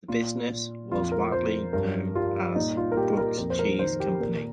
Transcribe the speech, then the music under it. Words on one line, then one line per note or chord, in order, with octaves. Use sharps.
The business was widely known as the Brooks Cheese Company.
A#2 F4
A#2
F2 F4
A#4
F2 C5
G2 A#4
G3 F4
A#2 D#4
F4
A#4
A#2 G4
A#4
F2 A#4
C5
A#4
D#3 C5
G4
A#2 A#4